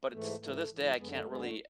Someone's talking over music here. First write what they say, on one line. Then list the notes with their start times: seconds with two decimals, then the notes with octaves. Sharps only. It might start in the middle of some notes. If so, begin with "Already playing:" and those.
but to this day, I can't really
0.12 G#2 E3 A3
0.40 G#2 E3 A3
0.55 A3
0.69 G#2 E3
0.97 F#2 D3 G#3 B3
1.07 A3
1.17 A3
1.26 F#2 D3 G#3 B3
1.40 A3